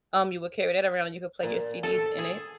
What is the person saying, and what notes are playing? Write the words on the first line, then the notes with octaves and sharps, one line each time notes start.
um, you would carry that around and you could play your CDs in it,
A#2
A4
G#4